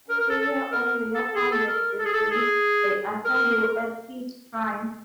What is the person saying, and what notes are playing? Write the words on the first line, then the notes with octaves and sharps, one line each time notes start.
Every year on their founder's birthday they assemble at his shrine.
A#4
A#4
A4
A4
A#4
A4
A4
G#4
A4
A#4
A4
G#4
A4
G#4
A#4